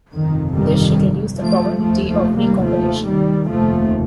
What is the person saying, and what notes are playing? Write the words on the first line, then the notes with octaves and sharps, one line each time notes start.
This should reduce the probability of recombination.
G1 F2 C3 D#3
D#3 G3
F3 A3
F1 D#2 F3 A3
F3 A3
G3 A#3
F3 A3
D#3 G3
F1 D#2 F3 A3